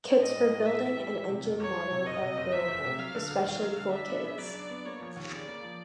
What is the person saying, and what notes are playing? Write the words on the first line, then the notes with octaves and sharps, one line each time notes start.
Kits for building an engine model are available, especially for kids.
A2 D#5
G3
A2
E3 E5
A2
G3
E3
C3
F1
E2 C#5
E3
C3
F#1 D#5
C3
F#1
E2 E5
F#1
C3
F#3 F5
D3
E1
D#2 F5
F#3
D3
D4 E5
B3
C#3
F#3 D5
D4
B3
A#3 C#5
F3
D#2
C#3 D5
A#3
F3